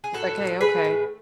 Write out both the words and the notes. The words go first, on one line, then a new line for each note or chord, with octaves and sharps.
It's like, "Hey, okay."
G#4
A2 F#4 A4
F#3
A3 G#4 B4
A2